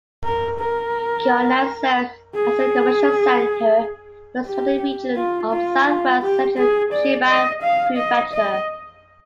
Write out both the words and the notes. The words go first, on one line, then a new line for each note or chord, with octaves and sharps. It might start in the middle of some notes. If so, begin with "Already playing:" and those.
Kyonan serves as a commercial center for the surrounding region of southwest-central Chiba Prefecture.
A#4
A#4
G#4
G4
F4
F4
F4
G4
G#4
D5
D#5
F5
D#5
D#5